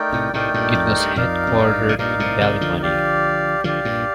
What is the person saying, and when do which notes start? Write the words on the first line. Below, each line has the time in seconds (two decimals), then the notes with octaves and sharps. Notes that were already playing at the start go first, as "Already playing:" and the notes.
It was headquartered in Ballymoney.
Already playing: A3 D#4 A#4 D5 G5
0.12 A2 C3
0.33 A2 C3 A3 D#4 A#4 D5 G5
0.54 G2 A#2
0.75 F2
0.96 G2
1.16 F2 D#4 A#4 D5 F5
1.47 F2
1.58 G2
1.89 C3
1.99 G2 A#2 D#4 A#4 D5 F5
2.20 A2 C3
2.41 C3 D#3
2.61 D3 F3
2.82 G4 D5 F5
3.64 D3 F3 G4 D5 F5
3.85 G2 A#2